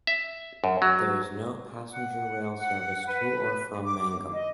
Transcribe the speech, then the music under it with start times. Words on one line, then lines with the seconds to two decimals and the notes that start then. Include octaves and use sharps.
There is no passenger rail service to or from Mangum.
0.07 E5
0.64 F#2
0.82 F#3
1.91 F#5
2.57 F#5
3.07 B4
3.83 D6
4.32 D#5